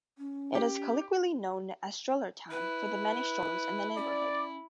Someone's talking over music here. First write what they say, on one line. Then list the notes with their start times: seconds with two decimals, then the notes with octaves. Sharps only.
It is colloquially known as Stroller Town, for the many strollers in the neighborhood.
0.18 C#4
0.55 G4
2.51 E4 B4
3.97 C#4 D5